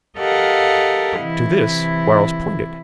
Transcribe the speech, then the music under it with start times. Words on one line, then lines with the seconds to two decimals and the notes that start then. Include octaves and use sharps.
To this Quarles pointed.
0.18 G4 A4 A#4 D#5 F5 F#5
1.20 C3 E3 E4